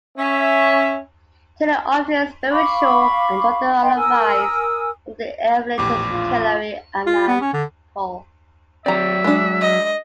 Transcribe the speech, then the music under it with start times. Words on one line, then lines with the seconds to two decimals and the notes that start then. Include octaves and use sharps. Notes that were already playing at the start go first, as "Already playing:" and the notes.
Taylor obtained spiritual and other advice from the evangelist Kilari Anand Paul.
0.17 C#4 E5
2.51 F5 B5 C#6 D6
3.81 D#5 G5 C6
3.96 A#4 G#5 D#6 E6
5.78 A#1 E2 A2 G4 D6
6.12 F4
7.07 F4
7.28 B3
7.41 C#4
7.53 D3
8.86 F#3 C4 D5 E5 A#5
9.24 G#3 D4
9.61 D#5